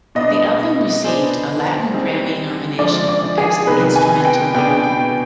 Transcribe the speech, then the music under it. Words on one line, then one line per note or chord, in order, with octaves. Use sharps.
The album received a Latin Grammy nomination for Best Instrumental Album.
B2 B3 D4 D#5
B3 D4 G#4 C5
G3 C4 D#4 G#4
D3 F3 G#3 D5
D5
G#4
C3 D#3 B3 D#4 G#4 B4
G#5
G5
B2 B3 D4 G#4 G5
G5